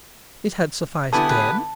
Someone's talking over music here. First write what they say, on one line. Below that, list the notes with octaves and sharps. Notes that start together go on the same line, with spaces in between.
It had sufficed them.
D3 B3 E4 G4 G#5 A5 D#6
B4